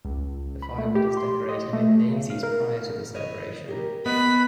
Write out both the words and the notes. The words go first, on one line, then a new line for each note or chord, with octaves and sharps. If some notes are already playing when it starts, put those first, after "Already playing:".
The firewood is decorated with daisies prior to the celebration.
C#2
B5
A3
G4
C6
D#5
A3
C#3
F5
A#4
E4 C#5 D#5
G4 A#4
B3 D#5 B5 F#6